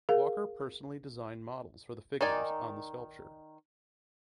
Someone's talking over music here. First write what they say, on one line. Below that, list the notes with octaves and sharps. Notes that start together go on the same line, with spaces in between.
Walker personally designed models for the figures on the sculpture.
G#4 A#4 F5
D#3 D#4 D5 G#5